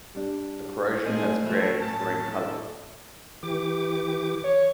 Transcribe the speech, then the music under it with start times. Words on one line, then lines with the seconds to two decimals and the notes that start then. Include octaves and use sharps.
The corrosion has created the green color.
0.15 G3 D4
1.06 A3 C4 D#4 F4 G#4
1.44 D2 A2 F3 A3
1.81 A2 F#3 C#4 A5
2.31 D3 A4
3.43 E3 G4 D6
4.44 C#5